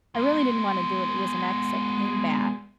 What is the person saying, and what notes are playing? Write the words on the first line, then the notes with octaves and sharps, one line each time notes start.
I really didn't wanna do it, it was an ex that came back
G#3 B3